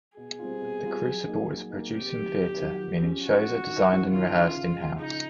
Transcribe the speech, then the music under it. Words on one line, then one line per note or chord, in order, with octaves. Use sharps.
The Crucible is a producing theatre, meaning shows are designed and rehearsed in-house.
B2 G#4
G3 C4 F4
B2
G3 C4 F4
F#3
A#3 D#4
F#3
A#3 D#4
C3 G4
D#3 F#3
C3
D#3 F#3
F3
G#3 C#4
F3 F#4
G#3 C#4
D#3
G#3 C#4 E4
D#3 F4
G#3 C#4 E4
C#3
F3 G#3
C#3 D#4